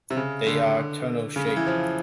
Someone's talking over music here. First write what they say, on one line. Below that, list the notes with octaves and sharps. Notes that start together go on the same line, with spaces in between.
They are tunnel-shaped.
C3
C#3
D3
C#3
C#3
E3
F3